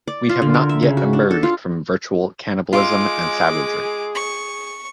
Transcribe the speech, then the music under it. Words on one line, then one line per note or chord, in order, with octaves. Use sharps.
We have not yet emerged from virtual cannibalism and savagery.
D5
F4
D3
A#4
E5
C#3
F#4
D4
A4
F4
G#3 F4 G#4 D6
C#6